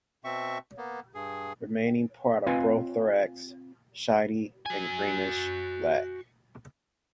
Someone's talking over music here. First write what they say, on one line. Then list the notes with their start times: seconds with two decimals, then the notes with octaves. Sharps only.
Remaining part of prothorax shiny and greenish black.
0.24 B2 C4 E5 C#6
0.78 A#3 B3
1.14 G2 G#4
2.46 C4 F4 B4 D#5 F5 G#5
4.66 F#4 G#5